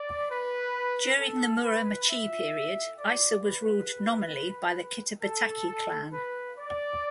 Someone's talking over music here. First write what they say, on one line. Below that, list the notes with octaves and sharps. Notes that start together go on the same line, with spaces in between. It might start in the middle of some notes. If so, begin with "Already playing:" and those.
During the Muromachi period, Ise was ruled nominally by the Kitabatake clan.
Already playing: D5
B4
A4
B4
E5
D5
B4
A4
B4
D5